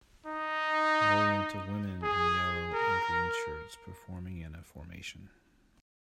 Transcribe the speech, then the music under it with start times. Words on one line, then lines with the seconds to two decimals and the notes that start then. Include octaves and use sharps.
Oriental women in yellow and green shirts performing in a formation.
0.26 D#4
2.03 G#4
2.74 A#4